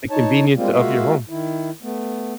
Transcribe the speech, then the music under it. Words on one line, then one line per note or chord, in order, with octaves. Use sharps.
The convenience of your home.
D#4 C#5 A5
G3 G#3 A#3 C4 F4
G#3 A#3 F4 F#4 E5 F5
D#3 E4
A3 B3